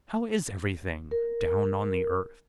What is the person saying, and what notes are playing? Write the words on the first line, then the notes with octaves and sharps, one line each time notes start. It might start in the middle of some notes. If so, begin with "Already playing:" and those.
"How is everything down on the earth?"
A#4